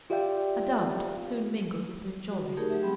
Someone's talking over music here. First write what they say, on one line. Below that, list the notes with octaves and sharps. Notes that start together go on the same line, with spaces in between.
A doubt soon mingled with their joy.
F4 G4 D5 E5 F5 G5
F#4
A3 D#4 G4 G#4 A#4
F#3 G4 E5
G3 C4 G4 B5